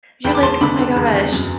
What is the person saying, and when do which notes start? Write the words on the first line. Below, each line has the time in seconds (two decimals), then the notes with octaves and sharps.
You're, like, "Oh my gosh."
0.25 E2 G5 B5
0.35 D6
0.42 E2 A5 C6
0.61 D3 B5 D6
0.79 D3
0.96 E2
1.14 E2
1.32 F#2